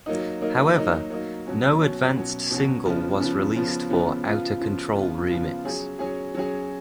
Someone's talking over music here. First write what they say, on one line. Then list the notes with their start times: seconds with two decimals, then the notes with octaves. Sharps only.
However, no advanced single was released for "Outta Control Remix".
0.06 F#3 A#3 D#4
0.41 F#3 A#3 D#4
0.76 F#3 A#3 D#4
1.10 F#3 A#3 D#4
1.46 B2 F#3 C#4 F#4
1.81 B2 F#3 C#4 F#4
2.15 B2 F#3 C#4 F#4
2.50 B2 F#3 C#4 F#4
2.85 C#3 F3 B3
3.20 C#3 F3 B3
3.55 C#3 F3 B3
3.90 C#3 F3 B3
4.25 C#3 F3 B3 F4
4.60 C#3 F3 B3 F4
4.95 C#3 F3 B3 F4
5.30 C#3 F3 B3 F4
5.65 F#3 C#4 G#4
5.99 F#3 C#4 G#4
6.35 F#3 C#4 G#4